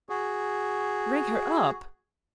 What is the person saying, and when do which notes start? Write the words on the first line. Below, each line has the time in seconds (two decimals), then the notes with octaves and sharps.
"Rang her up?"
0.09 F#4 G#4